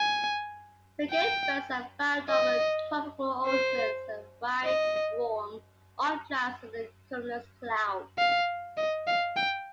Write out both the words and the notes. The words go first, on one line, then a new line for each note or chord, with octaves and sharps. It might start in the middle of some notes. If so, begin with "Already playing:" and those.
Frigatebirds are found over tropical oceans, and ride warm updrafts under cumulus clouds.
Already playing: G#5
G5
D#5
C5
D#5
F5
D#5
F5
G5